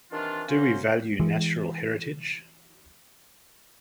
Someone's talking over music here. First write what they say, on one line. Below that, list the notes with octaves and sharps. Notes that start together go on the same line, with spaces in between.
Do we value natural heritage?
C3 D#3 E3 D4 F4
F#3 A#3 C#4 F#4 C5
E3 G#3